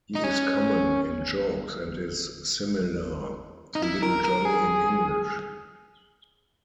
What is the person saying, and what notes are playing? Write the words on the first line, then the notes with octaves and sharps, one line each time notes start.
He is common in jokes and is similar to Little Johnny in English.
D#4
C#4
D#4
E4
A#4
A#4
G#4